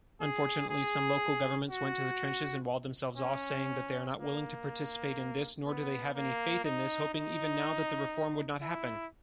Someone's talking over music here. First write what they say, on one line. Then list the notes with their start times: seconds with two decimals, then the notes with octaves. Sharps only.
Unfortunately some local governments went to the trenches and walled themselves off, saying that they are not willing to participate in this nor do they have any faith in this, hoping even now that the reform would not happen.
0.21 G#4
0.70 G#4
1.69 F#4
3.17 C#4
4.17 A#3
5.65 B3
6.15 A#3
6.64 D#4
7.14 D#4
8.62 E4